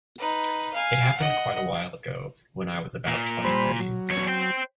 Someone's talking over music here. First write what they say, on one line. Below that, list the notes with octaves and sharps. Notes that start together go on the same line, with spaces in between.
It happened quite a while ago, when I was about twenty-three.
D#4 B4
F5 G#5
D#5 F#5
A#2
G3 C5 B5
F#3
E2 C#5
C5 G5